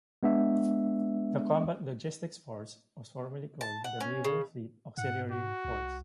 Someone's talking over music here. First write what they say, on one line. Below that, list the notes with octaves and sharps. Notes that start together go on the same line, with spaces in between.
The Combat Logistics Force was formerly called the Naval Fleet Auxiliary Force.
G#3 B3 D4 E5
A5
F#5
C#4
C#3
G#2 F#5
F#4
C2